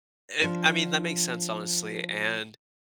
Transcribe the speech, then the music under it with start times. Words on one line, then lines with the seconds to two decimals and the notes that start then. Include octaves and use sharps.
And, I mean, that makes sense, honestly, and,
0.42 F3 D4